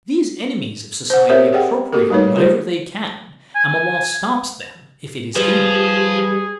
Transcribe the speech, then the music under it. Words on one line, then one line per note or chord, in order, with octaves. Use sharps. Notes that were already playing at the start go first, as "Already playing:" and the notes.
These enemies of society appropriate whatever they can, and the law stops them if it is able.
C5 F#5
C4 G4 A#4 C5 C#5 E5
G4 G#4 D5 F#5 G5
A#3 F#4 G4 A4 A#4
G3 A3 D#4 B4 C#5
F4 G4 C5
G#5
F3 G3 G#4 B4